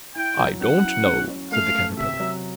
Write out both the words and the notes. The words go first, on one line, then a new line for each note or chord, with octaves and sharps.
'I DON'T know,' said the Caterpillar.
E4 G5
F#3
C#4 F#5
E4
C#4
C#4
A3 F5
A3
C3 E5
F#3